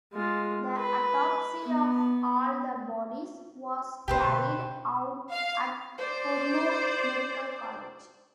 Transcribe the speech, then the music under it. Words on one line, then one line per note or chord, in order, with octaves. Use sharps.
The autopsy of all the bodies was carried out at Kurnool Medical College.
G#3 F4
B4
B3
B2 D3 G4 B4 C5
F5
C5 D5